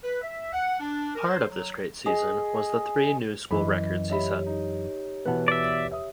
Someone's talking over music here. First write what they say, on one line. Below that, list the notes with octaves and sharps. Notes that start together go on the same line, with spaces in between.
Part of this great season was the three new school records he set.
B4
E5
F#5
D4
A#4
C5
F#3
G#4 D#5
F#2 E3 D#5 B5
G4 C#5 D#5 E5 B5
D#4
B2 E3 B4 F#5 A5
D5 E5
E5 D#6